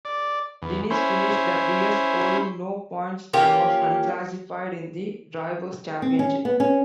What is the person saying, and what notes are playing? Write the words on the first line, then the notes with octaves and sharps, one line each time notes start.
Diniz finished the year scoring no points and was unclassified in the Drivers' Championship.
D5
E2
C#4 E4 C5
A#3 C#4 F4 G4
C4
C#4
B3
C#4